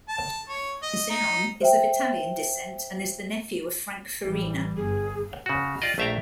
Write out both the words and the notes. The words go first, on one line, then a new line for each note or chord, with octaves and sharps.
Zenon is of Italian descent and is the nephew of Frank Farina.
A5
C#5
D#5
D#4
C5 E5 G5
A1 E3 G3
G1 G2 G#4
C#3 F#4
F4 G4 D5 D#5
A#1 A3 E5 F5 G5 A#5